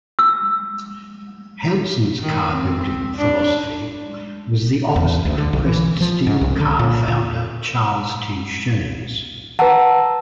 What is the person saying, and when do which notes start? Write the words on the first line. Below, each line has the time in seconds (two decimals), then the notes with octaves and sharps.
Hansen's carbuilding philosophy was the opposite of Pressed Steel Car founder Charles T. Schoen's.
0.19 E6
2.22 D#3
2.52 C4
3.16 D4
4.96 E2
5.25 D2
5.38 D3
5.53 B1
5.66 E3
6.01 F3
6.27 G#2
6.41 C2
6.60 D3
6.79 A#2
7.08 A#2
9.59 B4 F#5 A5 A#5 E6